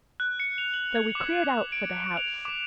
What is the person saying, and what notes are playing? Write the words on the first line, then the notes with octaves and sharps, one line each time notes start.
So we cleared out for the house.
F#6
C#7
F7
F#7
G#6
D6
D7
F7
D6